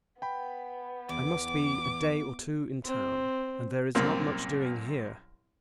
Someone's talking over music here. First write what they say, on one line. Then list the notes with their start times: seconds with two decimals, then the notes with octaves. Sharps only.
I must be a day or two in town, and there is not much doing here.
0.22 B3 G5 B5
1.09 E2 D6
2.85 C4
3.95 C2 F#2 A#2 A#3 C4 A#4